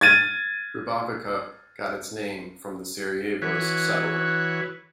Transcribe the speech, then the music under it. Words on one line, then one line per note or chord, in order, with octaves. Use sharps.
Grbavica got its name from the Sarajevo's settlement.
G#6 A6 D#7
E3 F#4 B4 C#5